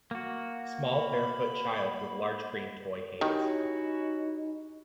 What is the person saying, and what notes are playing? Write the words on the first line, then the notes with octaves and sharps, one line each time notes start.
Small barefoot child with large green toy hands.
A#3 F#4
B5
D#3 C#4 D#4 E4 F#4 G4 C#5